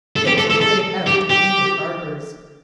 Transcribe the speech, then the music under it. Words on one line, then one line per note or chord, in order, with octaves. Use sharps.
Ships were fitting out in English harbours.
A4
G4
A4
A4
A4
G4
G4